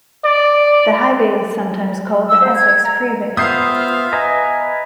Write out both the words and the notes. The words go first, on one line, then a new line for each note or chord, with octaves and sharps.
The highway is sometimes called the Essex Freeway.
D5
E6
C5
G#6
A#5
B3 F4 C5 E5 F5 D#6 G6 C7
B4 D#5 G#5 A#5